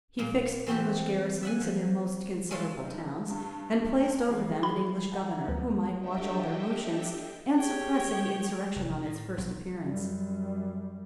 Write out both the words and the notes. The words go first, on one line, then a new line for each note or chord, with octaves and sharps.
He fixed English garrisons in their most considerable towns, and placed over them an English governor, who might watch all their motions, and suppress any insurrection on its first appearance.
A#2 A#3
E3 A3 C4 F#4 G4 A4
E5 F#5 G#5
F3
G#3 A3 F4 A4
F#1 D#4
G2
E3 G#4
B5
F#5 A#5
D2 B3
D4 G4 A4 D#5 E5 G5
G4 G#4 C#5 G5
F1
A2
B1
F#2 G3